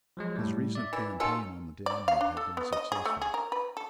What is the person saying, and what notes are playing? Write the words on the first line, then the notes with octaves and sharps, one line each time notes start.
His recent campaign on the Danube had been successful.
F3 F#3 G#3
A2 G3
D5 E5
E3
C#4 D#4 F4 F#4 A4 A#4
D5
F5
D4
A4
B3
D#5
G#4
A3
G#4
A#4
B4
A4